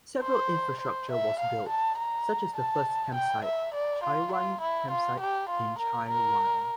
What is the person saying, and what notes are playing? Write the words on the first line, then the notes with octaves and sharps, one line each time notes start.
Several infrastructure was built, such as the first campsite, Chaiwan Campsite in Chai Wan.
C5
C5
E5
F5
A5
A#5
A5
G5
E5
D5
F4
F4
E4
F4
G4
F4
A#4
A#4